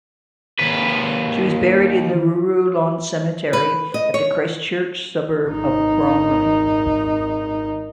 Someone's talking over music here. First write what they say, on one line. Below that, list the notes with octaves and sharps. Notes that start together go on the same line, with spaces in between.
She was buried at the Ruru Lawn Cemetery in the Christchurch suburb of Bromley.
D#2 B4
B4
D#5
C#5
G#1 D#4